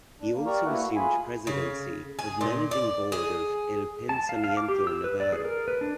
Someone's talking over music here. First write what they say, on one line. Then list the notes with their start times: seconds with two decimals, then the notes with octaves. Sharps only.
He also assumed presidency of managing board of "El Pensamiento Navarro".
0.20 D4
0.34 A#3
0.46 G4 A#4 D5 A#5 C#6
0.65 A3 A#3 E4 F#4 B4 F#5
0.81 A3 F#4
0.96 F4 G#4 G#5 B5
1.47 C#3
2.19 G#4
2.41 A#2
2.71 D5
3.12 G#4
4.09 A5
4.29 F5
4.44 F5
4.57 D6
4.68 G4
4.87 E6
5.04 B4
5.20 D5
5.33 G#4
5.45 A#4
5.68 B4
5.81 D4